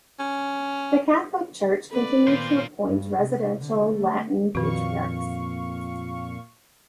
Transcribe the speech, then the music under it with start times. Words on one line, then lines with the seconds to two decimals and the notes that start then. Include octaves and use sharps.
The Catholic Church continued to appoint residential Latin Patriarchs.
0.19 C#4
1.91 C4 A4 B4 D5
2.27 D#3 A#3 B3 F4 C5
2.86 G2
3.19 C3
3.59 D3
3.93 A3
4.55 F2 A#2 D#3 F#4 F5 C#6